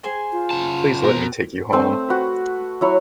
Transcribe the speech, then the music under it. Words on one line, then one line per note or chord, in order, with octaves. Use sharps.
Please let me take you home?
G#4 C5 G#5
F4
C#3 A5
B2 A#4 C5
A3 C4 C5
F#4 B4
F#3 E4 C#5